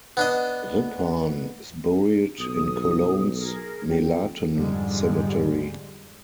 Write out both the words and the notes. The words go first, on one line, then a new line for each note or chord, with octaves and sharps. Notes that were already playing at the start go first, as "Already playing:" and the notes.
Riphahn is buried in Cologne's Melaten cemetery.
B3 D4 D#5
B1 D#6
G#4 A#4
F2 G5
F2 G#2 D3 G3 G#3